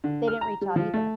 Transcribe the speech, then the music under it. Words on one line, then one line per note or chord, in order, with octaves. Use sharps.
they didn't reach out either.
D3
F6
A#5
G3
F3
A3